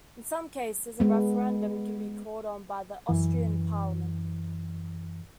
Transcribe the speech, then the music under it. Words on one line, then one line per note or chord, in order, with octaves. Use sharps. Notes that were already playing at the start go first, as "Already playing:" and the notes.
In some cases, a referendum can be called on by the Austrian Parliament.
G#3 B3
F#2 E3